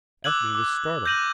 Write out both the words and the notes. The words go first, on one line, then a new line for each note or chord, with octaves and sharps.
Ethne was startled.
D6 E6 F#6 G#6 F#7
D6
G6 A#6 D#7 F#7